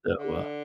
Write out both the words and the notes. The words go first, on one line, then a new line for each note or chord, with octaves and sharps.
So, uh,
D3